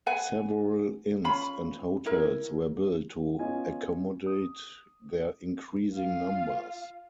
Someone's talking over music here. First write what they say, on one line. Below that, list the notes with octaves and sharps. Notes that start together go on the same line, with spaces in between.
Several inns and hotels were built to accommodate their increasing numbers.
B4 F#5 G#5
C#4 F4 B5
E4 A#4
B3 C#4 F4 D#5 G#5
D#6
F4 F5